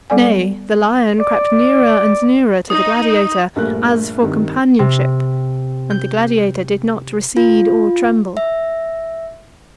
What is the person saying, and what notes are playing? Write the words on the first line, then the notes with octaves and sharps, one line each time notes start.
Nay, the lion crept nearer and nearer to the gladiator, as for companionship; and the gladiator did not recede or tremble.
G3 B3 A4 D5 G#5
D5
D#4 D#6
A#1 G2 A3 A#4 F#6
G2 C3 D#3
C3
G6
F4
E5